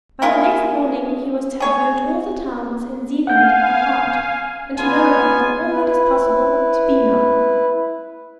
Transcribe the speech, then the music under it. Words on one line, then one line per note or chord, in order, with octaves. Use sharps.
By the next morning he was to have learnt all the towns in Zealand by heart, and to know about them all that is possible to be known.
A#3 E4 F4 G#4
G#4 C#5
F5 F#5 G#5 G6
C#3 B3 F4 G#5
E4 B4